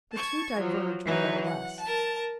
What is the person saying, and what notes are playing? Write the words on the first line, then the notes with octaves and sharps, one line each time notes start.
The two diverge more or less.
A5 C#6 G#6
F3 F#3
E3 F#3 D#4
F#5
A#4 A5